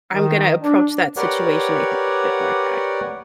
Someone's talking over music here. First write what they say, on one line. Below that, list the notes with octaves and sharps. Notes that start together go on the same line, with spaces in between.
I'm gonna approach that situation, I think, a bit more tact
D#3
D4
G4 A#4 B4 C#5 D5 F#5